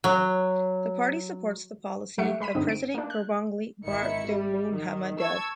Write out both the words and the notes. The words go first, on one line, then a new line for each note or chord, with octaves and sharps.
The party supports the policy of President Gurbanguly Berdimuhamedow.
F#3
F#3 A3 G4 E5 F#5 C#7
G#3 B5 B6 D#7
G2 D3 C4 D#4
D7
A#3 D4
F#6
G#1 D#3 E4 C#7
G3
D#3
A5 C#6 E6 G#6